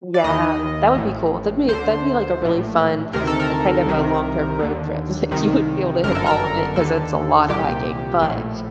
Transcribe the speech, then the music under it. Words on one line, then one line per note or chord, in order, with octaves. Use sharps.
Yeah, that would be cool. That'd be that'd be, like, a really fun a, kind of, a long-term road trip, like, you wouldn't be able to hit all of it 'cause it's a lot of hiking, but
D5
D#2 D#3 D#5
A1 A2
D2 D3 C5
A#1 A2
D2 C3 D#3 A#4
A4
A#4
C2 C3 D#3
D#2 D3
C2 C3 D#3
G1 F#2 D3 A#4
A4
A#4
D#2 D3 A4
C2 A#2 G4
A#1 A2